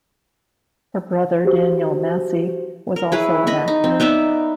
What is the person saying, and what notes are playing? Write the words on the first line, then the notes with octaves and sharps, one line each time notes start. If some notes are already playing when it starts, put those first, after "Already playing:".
Her brother Daniel Massey was also an actor.
F#4 G4 C5
A#4
E4 G#4 B4 C#5
D#5 B5 C#6
D#4
C4
B3 D#4 D5 E5